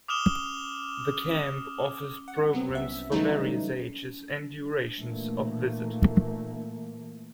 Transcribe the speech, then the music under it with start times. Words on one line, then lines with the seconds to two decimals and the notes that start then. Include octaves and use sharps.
The camp offers programs for various ages and durations of visit.
0.08 D6 D#6 F6 E7 G7
2.28 F#5
2.53 F#3 B3 C4
2.72 C2 E5
3.12 D3 E3 F#3 G3 A3 D#4
4.98 A#2 E3 A3 A#3